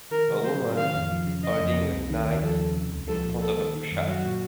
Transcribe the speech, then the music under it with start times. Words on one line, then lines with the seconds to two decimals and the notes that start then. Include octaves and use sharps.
A woman holding a kite in front of a child.
0.11 D#3 A#4
0.29 C3
0.44 F#3 C5
0.61 A2
0.78 D#3 F5
0.95 F2
1.11 F3
1.27 C#3
1.43 C#3 D#5
1.60 F2
1.76 C3
1.93 C2
2.10 D#3
2.26 D#2
2.42 F3 A4
2.60 C#3
2.76 C3
2.93 C#2
3.08 F3 A4
3.24 A#2
3.41 A#3 A4
3.58 D#3
3.75 D#3
3.92 F#2
4.07 F#3 F#4
4.25 A#2